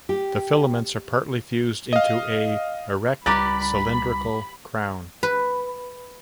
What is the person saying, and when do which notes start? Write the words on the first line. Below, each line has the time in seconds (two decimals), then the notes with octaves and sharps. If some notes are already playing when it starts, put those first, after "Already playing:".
The filaments are partially fused into a, erect, cylindrical "crown".
0.09 G4
1.93 D#5 F5
3.26 C#2 G3 G4 B4 A#5 B5 D6 A6
5.23 B4